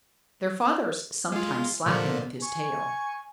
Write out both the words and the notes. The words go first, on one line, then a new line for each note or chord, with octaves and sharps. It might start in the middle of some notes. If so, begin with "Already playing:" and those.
Their father sometimes slapped them with his tail.
G#3 F4
A#2 D3 F3
G#5 C#6